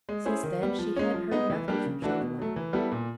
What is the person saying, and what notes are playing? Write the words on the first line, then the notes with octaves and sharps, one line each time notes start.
Since then she had heard nothing from Chauvelin.
G#3
C#4 E4 G#4 C5
D#3
G3 B3
F3
G#3 C#4
F3
G#3 B3 D#4
E3
G3 A#3 D4 G4
C#3
E3 A3 D4 F#4
B2
F#3 A3
E3
G3 B3 E4 A4
A#2